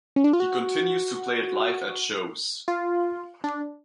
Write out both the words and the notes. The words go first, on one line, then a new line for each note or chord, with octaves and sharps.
He continues to play it live at shows.
C#4
D4
F4
F#4
F4
D4